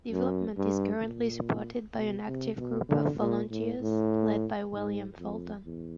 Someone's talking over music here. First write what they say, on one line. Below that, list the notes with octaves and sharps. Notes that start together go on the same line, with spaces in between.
Development is currently supported by an active group of volunteers led by William Fulton.
F#2
G2
A#2
B2
C3
B2
D3
A#2
A2
A2
G#2
F2
E2